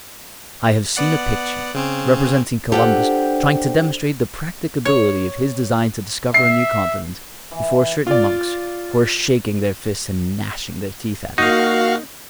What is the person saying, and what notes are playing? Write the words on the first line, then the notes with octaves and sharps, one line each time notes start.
I have seen a picture representing Columbus trying to demonstrate the practicability of his design to discover a new Continent before certain monks who are shaking their fists and gnashing their teeth at him.
B3 D5 F#5
C#3 C4 C#4
D4 F4 G4 A4 C5 F#5 G5
C#5
E5 C7
E3
F4 D5
A#3 D#4 F#4 F5